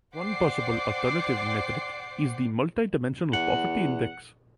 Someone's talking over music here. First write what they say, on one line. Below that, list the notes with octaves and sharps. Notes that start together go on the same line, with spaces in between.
One possible alternative metric is the Multidimensional Poverty Index.
C5 D5 F#5 G5 D6 C7
E2 F#5